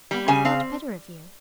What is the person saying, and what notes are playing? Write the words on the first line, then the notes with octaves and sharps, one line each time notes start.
"I had thought better of you."
G3
C#3 G#5
C4 F5